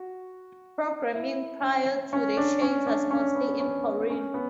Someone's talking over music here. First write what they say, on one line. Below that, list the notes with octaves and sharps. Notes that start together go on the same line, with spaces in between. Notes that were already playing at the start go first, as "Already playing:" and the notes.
Programming prior to the change was mostly in Korean.
Already playing: F#4
E4
C#4
C#4
D4
C#4
D4
C#4
B3
C#4
B3
C#4
B3